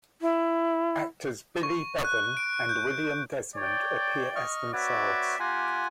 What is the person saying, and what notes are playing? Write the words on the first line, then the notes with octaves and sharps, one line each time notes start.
Actors Billy Bevan and William Desmond appear as themselves.
E4
C#6
F#6
D7
G6
C#5 D5 G5
D#5 C#6 F6
C4 F#4 B4 C#5 D5 E5
A#3 F4 G4 F#5 G#5